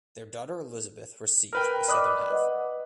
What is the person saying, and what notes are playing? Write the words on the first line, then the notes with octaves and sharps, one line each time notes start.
Their daughter Elizabeth received the southern half.
A#4 B4 G5 F6
D5 D#5 B5 D6 D#6 F#6
B4 D#5 F#5